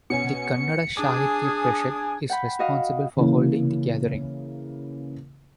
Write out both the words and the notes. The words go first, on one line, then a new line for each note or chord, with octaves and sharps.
The Kannada Sahitya Parishat is responsible for holding the gathering.
B2 C#4 G#5 C#7
D4 G#4 G#5 D6 D#6
F#5 G5 B5
F#4 D#5 F5
C#3 E3 A#3